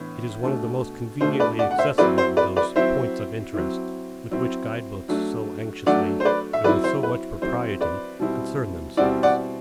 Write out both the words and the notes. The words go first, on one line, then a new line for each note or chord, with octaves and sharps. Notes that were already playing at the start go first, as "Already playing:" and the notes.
It is one of the most conveniently accessible of those "points of interest" with which guide-books so anxiously, and with so much propriety, concern themselves.
Already playing: A2 E3 B3 D4
B2 A3 D4
B2 A3 D4 C5
B4 D5
D5 F#5
F#5
C5 E5
F#3 C4 E4 B4 D5
C5
B4 D5
B4 D5
F#3 C4 E4 C5 E5
F#3 C4 E4
F#3 C4 E4
F#3 A3 D4
F#3 A3 D4 D5 F#5
C5
B4 D5
E5
F#3 C4 E4 B4 D5
C5
B4
F#3 C4 E4 C5
B4 D5
B2 G3 C4 E4
B2 G3 C4 E4 D5 F#5
D5 F#5